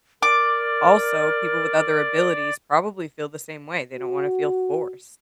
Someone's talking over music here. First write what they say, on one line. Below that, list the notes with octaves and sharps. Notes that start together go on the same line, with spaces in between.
also, people with other abilities probably feel the same way, they don't wanna feel forced.
A#4 D5 D6
F#4